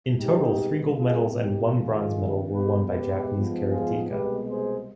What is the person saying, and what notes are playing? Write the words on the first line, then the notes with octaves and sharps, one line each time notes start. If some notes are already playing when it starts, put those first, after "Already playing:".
In total three gold medals and one bronze medal were won by Japanese karateka.
C2 B2 G#3 B3 D#4 G4
C2 B2 B3 F4 G#4
D#4 G4
F2 C3 D#3 G#3 F4 G#4
B2 G#3 B3 G4 B4
G4 B4
G#2 F3 B3
F4 G#4
C2 B2 G#3 B3 G4 B4
G#4 C5